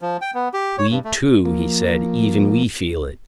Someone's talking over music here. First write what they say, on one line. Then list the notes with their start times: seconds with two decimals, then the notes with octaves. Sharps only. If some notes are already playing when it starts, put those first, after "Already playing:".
"We, too," he said, "even we feel it."
0.02 F3
0.21 G5
0.34 B3
0.54 G4
0.78 C#5
0.90 G2
1.05 A3
1.45 F3 A#3